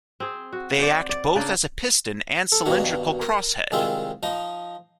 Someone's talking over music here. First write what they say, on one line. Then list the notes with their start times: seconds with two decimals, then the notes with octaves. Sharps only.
They act both as a piston and cylindrical crosshead.
0.20 C4 G#4
0.53 F#4
0.79 C5 D5
1.09 D5
1.35 C#3 A#3 D4 D5
2.52 A4
2.66 G2 B2 D#3 A#3 F#4
3.21 A#4
3.72 C2 D#3 G#3 C4 F4 E5
4.23 F3 D#4 D#5